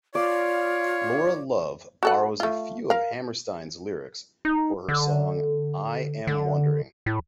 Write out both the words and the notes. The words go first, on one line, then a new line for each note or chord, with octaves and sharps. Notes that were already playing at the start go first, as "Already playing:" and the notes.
Laura Love borrows a few of Hammerstein's lyrics for her song "I Am Wondering".
F4 C#5 D5 F5
F#4 A4 F#5
A3 F4
A#4 F5
D#4
D3
D3
A2